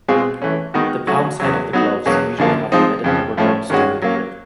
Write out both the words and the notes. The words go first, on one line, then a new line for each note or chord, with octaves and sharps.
The palm-side of the gloves usually have embedded rubber dots to aid grip.
B2 G#3 C4 F4 G#4
E3 A3 C#4
D#3 G#3 B3 D#4 F#4
F#3 A3 C#4 F#4
E2 C#3 F#3
F#3 B3 D#4 F#4
E2 B2 F#3 A#3 C#4
F#2 D3 F3 A#3
F3 G#3 C4 D#4
F2 C#3 F3
A2 F3 A3 C#4
G2 D#3 G#3 C#4 F#4
F#3 A#3 C#4